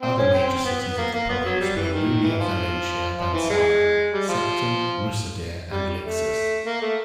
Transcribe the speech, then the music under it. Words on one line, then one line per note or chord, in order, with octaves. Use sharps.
Other major cities of the province were Iulia Valentia Banasa, Septem, Rusadir and Lixus.
C4
C#4
C4
B3
B3
A#3
A#3
B3
F#3
G3
E3
D#3
E3
F3
F3
E3
G#3
G3
F3
G3
A3
A#3
A3